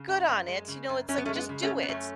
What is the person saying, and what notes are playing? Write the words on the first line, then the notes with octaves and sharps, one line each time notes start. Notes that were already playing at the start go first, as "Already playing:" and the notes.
good on it, you know, it's like just do it,
Already playing: C#3
F#2
F#2
G#3
C#3
F#2
F#2 C#4
B3
A3 C#4
G#3
B3
C#3
A3 C#4
F#2
B3
F#2 A3 C#4